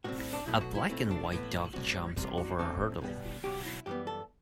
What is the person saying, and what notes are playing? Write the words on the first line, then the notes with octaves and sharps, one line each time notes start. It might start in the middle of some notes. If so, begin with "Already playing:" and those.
A black and white dog jumps over a hurdle.
A2 G3 C4 F#4
E4
D4
B1 B2 F#3 A3 E4
F#4
E4
B2 A3 C4 E4
D4
A2 E3 B3 E4
A2 G3 C4 F#4
C2 C3 G3
F#4
F#2 D3 A3 C4 A4
B2 G3 B3
B1 B2 F#3 G4
E4
F#2 E3 G3 B3 G4
A4